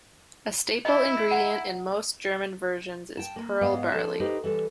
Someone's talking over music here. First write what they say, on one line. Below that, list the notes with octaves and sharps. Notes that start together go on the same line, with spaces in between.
A staple ingredient in most German versions is pearl barley.
E4 D#5
F#5 A#5
G5 A5
A#3
G#2 G#3 B3 F5
F3 A4 A5
D#4 G4 B4 C5
E3 G3 A4